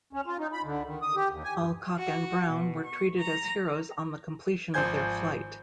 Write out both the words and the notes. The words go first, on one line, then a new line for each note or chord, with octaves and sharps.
Alcock and Brown were treated as heroes on the completion of their flight.
C#4
F4
D#4
B5
D3
D#3
D#6
G4
D#2
G#5
G2
F#4
B2
C#6
A#5
G#1 F3 C5 G#5 G6 G#6